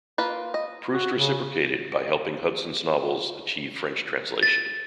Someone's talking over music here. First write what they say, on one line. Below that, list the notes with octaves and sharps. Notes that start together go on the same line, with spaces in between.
Proust reciprocated by helping Hudson's novels achieve French translation.
A#3 F4 B4
D#5
F#4
C#3
A6